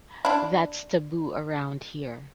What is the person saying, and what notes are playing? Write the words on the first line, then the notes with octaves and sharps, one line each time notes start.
That's taboo around here.
D4 E4